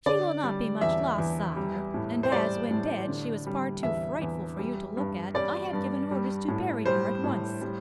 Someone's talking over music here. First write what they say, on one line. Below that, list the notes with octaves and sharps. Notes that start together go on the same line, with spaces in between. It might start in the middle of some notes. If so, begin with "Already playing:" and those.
"She will not be much loss, sire; and as, when dead, she was far too frightful for you to look at, I have given orders to bury her at once."
D3 D5
G3
E2 E5
E2
G3
A2
C5
G3 D5
A2
D3
G3
E2 E5
E2
G3
G2
G3 D5
G2
G3
A2
G3 C5
A2
G3